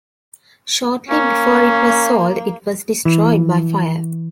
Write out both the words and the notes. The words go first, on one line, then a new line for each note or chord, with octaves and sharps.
Shortly before it was sold it was destroyed by fire.
A#3 C#4
E3